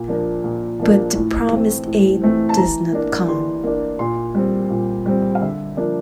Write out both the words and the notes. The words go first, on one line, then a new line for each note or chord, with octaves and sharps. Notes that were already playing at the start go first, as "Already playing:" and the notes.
But the promised aid does not come.
Already playing: A#2
F3 A#3 D4
A#2
F3 A#3 D4
A2
E3 A3 C4
A2
E3 A3 C4
A5
E3 A#5
A#3 D4
E3 C6
A#3 D4
A#2 C6
G3 C4
A#2
G3 C4
F5
D3 E5
F3 A#3 D4